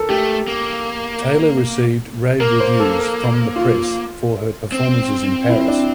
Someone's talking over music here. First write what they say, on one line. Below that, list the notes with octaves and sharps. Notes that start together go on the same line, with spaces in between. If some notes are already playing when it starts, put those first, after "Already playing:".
Taylor received rave reviews from the press for her performances in Paris.
Already playing: A4 A#4
A3 G4
A#3
A#3 A#4
C5
A4
A#4
F4
C4
E4
D4